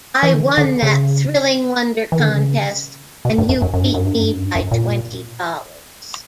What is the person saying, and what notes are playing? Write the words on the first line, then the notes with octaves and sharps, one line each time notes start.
I won that "Thrilling Wonder" contest, and you beat me by twenty dollars.
E3
D3
D3
C#3
E3
D3
C#3
B2
G2
F#2
F#2
F#2
G2
F#2
G2
F#2
G2
F#2
G2
F#2
A#2